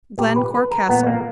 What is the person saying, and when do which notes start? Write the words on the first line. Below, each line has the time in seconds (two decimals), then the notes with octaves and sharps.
Glencore Castle.
0.18 A#2 G4
0.36 B4
0.54 B4
0.71 A#4
0.89 A#2 B3
1.07 A#3